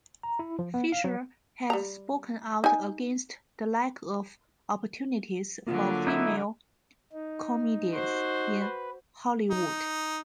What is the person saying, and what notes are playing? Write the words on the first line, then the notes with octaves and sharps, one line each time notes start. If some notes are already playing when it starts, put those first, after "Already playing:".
Fisher has spoken out against the lack of opportunities for female comedians in Hollywood.
A#5
E4
F3
B3
F5
F#3
G3 A#5
D#4 G#5
D3 F#3 A#3 F4
D#4 E4 E5
D#4
F#4 C5
B4
D#4